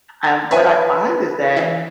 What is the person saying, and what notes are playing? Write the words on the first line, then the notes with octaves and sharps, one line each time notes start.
Um, what I find is that,
B4 C#5 E5 G#5
E3